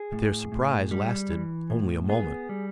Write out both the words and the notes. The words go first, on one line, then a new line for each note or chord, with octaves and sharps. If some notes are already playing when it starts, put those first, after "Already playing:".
But their surprise lasted only a moment.
Already playing: G#4
A2
A2
G3
E3
A2
B3 G#4
G3